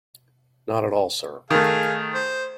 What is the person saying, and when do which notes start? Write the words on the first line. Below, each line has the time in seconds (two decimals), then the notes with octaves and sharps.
Not at all, sir.
1.50 D#3 A3 G#4 F5
2.14 C5